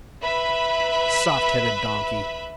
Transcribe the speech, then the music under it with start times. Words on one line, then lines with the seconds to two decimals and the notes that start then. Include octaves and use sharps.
Soft-headed donkey!
0.22 B4 E5 B5